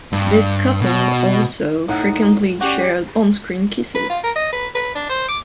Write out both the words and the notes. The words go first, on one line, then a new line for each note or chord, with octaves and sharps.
This couple also frequently shared on screen kisses.
G2
B2
A2 D#4 F#5
C#4 F#4 G4 D5
B4
F4
A#4
D#5
B4
B4
D4
C5
D6